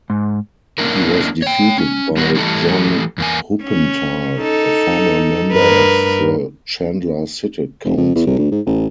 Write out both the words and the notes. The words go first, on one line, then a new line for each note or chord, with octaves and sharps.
He was defeated by John Huppenthal, a former member of the Chandler City Council.
G#2
A#3 C#4 D4 E4 A#4
C#5 G5
C#4
G3 B3 F#4 G4 A#4
E3 G3 A3 A4
E2 A#3 G#5
C#4
D#4 A4
G2 A#4 B4
F1
F2
E2
C2
D2
G#2
A1